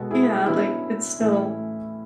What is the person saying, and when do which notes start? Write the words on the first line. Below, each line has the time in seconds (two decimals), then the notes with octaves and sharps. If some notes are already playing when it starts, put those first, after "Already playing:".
Yeah. Like, it's still
Already playing: B2 G#3 B3 F#4 A4
0.11 E4 G#4
0.46 D3 F#3 B3 C#4 E4
1.19 A2 E3 A3 C#4